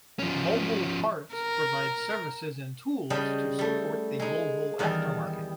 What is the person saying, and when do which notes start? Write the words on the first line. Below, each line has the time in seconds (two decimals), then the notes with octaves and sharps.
Volvo Parts provide services and tools to support the Volvo aftermarket.
0.19 F3 C#4
1.35 A#4
3.10 C#3 G3 D#5 G5 A5
3.59 G3 A3
4.19 G#3 D#4
4.79 E2 D#3 G3